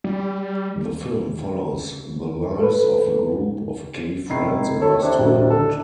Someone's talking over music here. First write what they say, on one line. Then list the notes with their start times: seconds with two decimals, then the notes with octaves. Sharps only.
The film follows the lives of a group of gay friends in West Hollywood.
0.04 G3
2.59 A4 B4
4.30 F1 D#3 E4 C7
4.81 A4 C#5 B5
5.02 C3 D4
5.19 A#1 D#2 C3 F#4
5.50 D3 A4